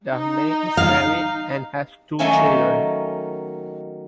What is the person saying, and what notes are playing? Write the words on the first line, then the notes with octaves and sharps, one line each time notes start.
Dahmen is married and has two children.
D#4
F5
D#3 F#3 A3 A#3 C#4 G#5